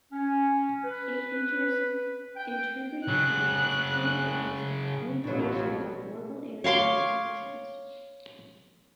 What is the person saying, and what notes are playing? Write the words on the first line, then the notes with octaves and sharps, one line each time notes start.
It features interpretive panels, short films, and information about the local area and attractions.
C#4
B4
G5
C#3 F#3 F#6
A1 F2 B2 F#3
C#5 F5 C6 D6